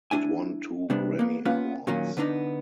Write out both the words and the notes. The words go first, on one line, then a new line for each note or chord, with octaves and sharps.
It won two Grammy Awards.
D4 E4 G#5
C3 G3 B3 D4
A#3 B3
A#3 B3 C#4 F4 B4
A#2 D#3 F#3 A#3 C#4
D3 B3 D4 D#4